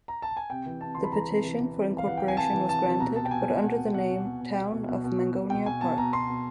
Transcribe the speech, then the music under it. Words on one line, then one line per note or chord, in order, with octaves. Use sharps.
The petition for incorporation was granted but under the name Town of Mangonia Park.
A#5
A5
G#5
C3 G5
E3
C3 A5
E3 C6
B5
E3 A#5
C3
E3
E3
C3
E3
F5
E3 F#5
C3 G5
G#5
C3 A5
E3
C3 A5
C3
B2 A#5
B2 A5
G5
B2 G#5
B2
B2 F#5
B2
B2 F#5
B2
B2
B2
B2
B2
B2
B2
B2
B2
B2 G5
B2 G#5
B2 A5
B2 A#5
B2 C6
B2